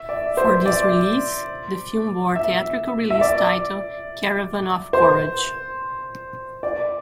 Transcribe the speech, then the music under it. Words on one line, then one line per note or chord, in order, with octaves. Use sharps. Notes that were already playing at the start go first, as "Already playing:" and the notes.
For this release, the film bore theatrical release title, "Caravan of Courage".
Already playing: E5
D5
C5
D5
E5
E5
D5
C5
D5